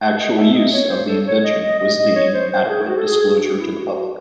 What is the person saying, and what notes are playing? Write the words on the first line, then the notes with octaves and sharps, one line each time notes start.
Actual use of the invention was deemed adequate disclosure to the public.
D#5
E5
D#5
C#5
C5
A4
C#5
D#5
D#5
D#5
D#5
C#5
C5
C5
G#4
F#4
A4
G#4
G#4
F#4
E4
F#4
F#4